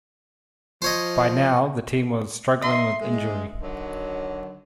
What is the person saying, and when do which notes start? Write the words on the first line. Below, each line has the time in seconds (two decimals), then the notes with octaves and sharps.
By now the team was struggling with injury.
0.82 F3 C5 C#5 D#5
2.62 D#4 D#5 E5 C6
3.01 G#3
3.62 D3 D#3 F#3